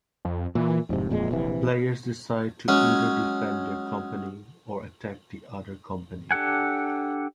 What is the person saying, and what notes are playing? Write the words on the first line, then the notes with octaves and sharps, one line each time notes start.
Players decide to either defend their company or attack the other company.
F2
A#2 E3
D1 F2 G#2 C3
F2 A#2 G#3
A#1 C3 E3
F#3 G#3 C#4
D4 G4 A4 F#5 G#5